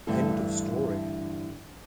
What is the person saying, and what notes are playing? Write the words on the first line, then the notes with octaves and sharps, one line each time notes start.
End of story.
G2 D3 E3 A3 D4 A4